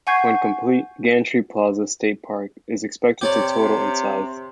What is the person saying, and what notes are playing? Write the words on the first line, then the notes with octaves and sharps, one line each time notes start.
When complete, Gantry Plaza State Park is expected to total in size.
F#5 G#5 C#6 G6 G#6 C7
C3 G4 C#5 D5